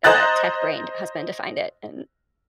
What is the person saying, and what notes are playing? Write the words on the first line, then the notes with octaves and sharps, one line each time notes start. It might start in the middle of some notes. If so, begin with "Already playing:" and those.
uh, tech brained husband to find it, and
C5 D#5 A#5 F#6 A6